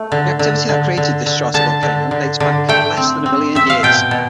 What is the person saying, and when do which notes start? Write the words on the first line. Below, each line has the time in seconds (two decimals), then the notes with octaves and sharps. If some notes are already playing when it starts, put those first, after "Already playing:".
The activity that created this stratovolcano dates back less than a million years.
Already playing: A3
0.12 D3
0.39 D3
0.69 D3
0.97 D3
1.26 D3
1.54 D3 A5
1.83 D3
2.11 D3
2.40 D3
2.69 A3 G5
2.97 C4
3.26 C4
3.55 C4 E5
3.70 F5
3.83 B2 G5
4.11 B2